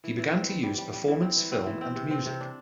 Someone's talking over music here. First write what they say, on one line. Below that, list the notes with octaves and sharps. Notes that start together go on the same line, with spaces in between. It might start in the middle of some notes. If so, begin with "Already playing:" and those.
He began to use performance, film and music.
E3
E3
C4
G3
G3
G3
G3
E3
C4
E3
C4
E3
C4
C3
C4
C3
D4